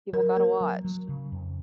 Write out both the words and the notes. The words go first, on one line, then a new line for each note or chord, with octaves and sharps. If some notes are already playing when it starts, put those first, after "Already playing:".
People gotta watch.
F#3 A#4
A#3 A#4
F#3
F#3
C#3
F2